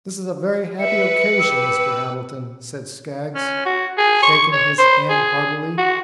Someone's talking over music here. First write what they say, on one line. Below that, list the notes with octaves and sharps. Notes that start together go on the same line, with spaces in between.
"This is a very happy occasion, Mr. Hamilton," said Skaggs, shaking his hand heartily.
B4 E5 C#7
G4 E6
C#4
F#4
G#4
C#6
C#5
C5
G#4
F#4